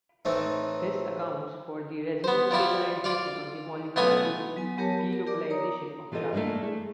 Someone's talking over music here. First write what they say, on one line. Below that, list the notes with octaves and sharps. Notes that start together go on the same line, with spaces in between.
This accounts for the resonance stabilization of the molecule due to delocalization of charge.
A2 E3 C4 D#4
B3 C5
F3 G3 E4 F4
F4 D5 F5
B1 A3 B3 F4 G#5 D#6
F#3 B3 G#5
F#3 B3 G4 A#4 C#5 A5
B3
A#4
G4 A#4 D5 D6
A#4 C#5 A#5 D#6
E3 F4 G4 A4 D#5
A3 A#3 D4 E4 A#4
A3 G#4